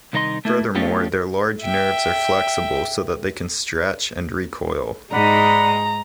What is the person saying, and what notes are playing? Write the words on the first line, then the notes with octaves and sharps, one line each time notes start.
Furthermore, their large nerves are flexible so that they can stretch and recoil.
C2 D#3 D#4 D#5 C6
A3 A#3 E4
A3 B3 C#4 D4 F4 G4
E5 G5
G#2 G#3 D#4 D5 F#5 A#5 B5